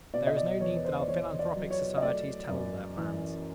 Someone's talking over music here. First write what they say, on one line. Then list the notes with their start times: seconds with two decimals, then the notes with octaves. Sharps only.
There is no need that our philanthropic societies tell all their plans.
0.14 B2 D5
0.27 D#5
0.36 D5
0.60 E2 C#5
0.75 B4
0.85 C5
1.00 D5
1.08 E2 C#5
1.39 D5
1.55 F#3
1.71 C#5
1.98 D#5
2.02 A3 D5
2.49 F#2
2.97 E3